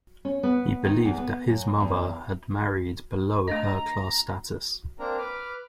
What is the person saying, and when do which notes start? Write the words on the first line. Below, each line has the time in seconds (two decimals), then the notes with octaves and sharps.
He believed that his mother had married below her class status.
0.25 C#4
0.43 B3
0.84 D#3
1.04 E2
1.18 B3
1.48 F#2
1.80 E2
3.48 A3 D4 D#5 A#5
4.99 A#3 C4 D4 A#4 A#5
5.18 B4 D6 F6